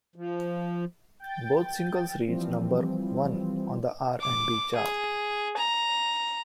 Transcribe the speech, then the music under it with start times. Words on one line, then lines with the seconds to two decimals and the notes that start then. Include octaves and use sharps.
Both singles reached number one on the R and B chart.
0.16 F3
1.20 G5 G6 A6
2.27 E3 F3 G3 C4
4.21 D6
4.76 G#4
5.57 A#5